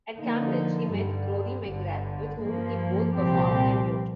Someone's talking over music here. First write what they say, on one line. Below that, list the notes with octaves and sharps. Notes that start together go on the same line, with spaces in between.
At Cambridge he met Rory McGrath with whom he both performed and wrote.
D3 F3 A#3 D#4
G2 D3 G3
G1 G2 D3
G2 F3 A#3
C2 A#2 F3 C4 G4